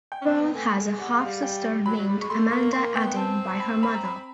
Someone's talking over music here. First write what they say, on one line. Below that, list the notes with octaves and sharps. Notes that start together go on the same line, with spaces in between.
Pearl has a half sister named Amanda Aday by her mother.
G5
C#4
C4
B3
A3 G#5
G#5
G#3
G3 F#5
G#3
G3 F5
G5
F#3 B5
F#3
G3
G#3 C#6
A3 C6
A#3 C#6
A#3 C6
B3 G5
C4 A5
B5
B5
A#5
B5